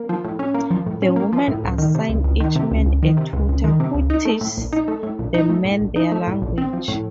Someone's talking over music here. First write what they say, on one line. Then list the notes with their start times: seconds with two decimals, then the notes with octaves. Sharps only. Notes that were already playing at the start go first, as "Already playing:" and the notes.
The women assign each man a tutor who teaches the men their language.
Already playing: A#3
0.09 F3
0.25 A2
0.39 C#4
0.54 A#3
0.71 F3
0.86 A2
1.02 C#4
1.16 A#3
1.33 F3
1.48 A2
1.64 C#2
1.78 D#3
1.95 C3
2.09 C#2
2.24 C#2
2.40 D#3
2.56 C3
2.71 C#2
2.86 C#2
3.03 D#3
3.17 C3
3.33 C#2
3.49 C#2
3.64 D#3
3.80 C3
3.94 C#2
4.10 D#4
4.25 A3
4.41 A2
4.57 A#1
4.73 D#4
4.88 A3
5.03 A2
5.19 A#1
5.34 D#4
5.50 A3
5.65 A2
5.81 A#1
5.96 D#4
6.12 A3
6.27 A2
6.42 A#1
6.58 C4
6.73 F3
6.88 A2